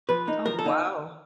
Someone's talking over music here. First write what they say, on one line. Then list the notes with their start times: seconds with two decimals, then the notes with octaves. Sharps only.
Oh, wow.
0.09 F3 B4
0.27 A#3 D#4
0.46 F3 A#4
0.59 A4
0.65 A#3 D#4